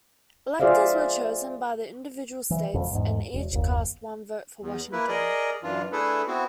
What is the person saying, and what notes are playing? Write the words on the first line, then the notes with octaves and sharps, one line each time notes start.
Electors were chosen by the individual states, and each cast one vote for Washington.
F4 G#4 C5 D5 E5 F5
E3
E1 F2
E2 G#2
E1
F#1 D#2
E2
A#3 E4 B4
G#4 A#4 D5 D#5
F#2 E3 D4 F4
A3 D4 E4 G#4 A4 B4
B3 C4 E4 F#4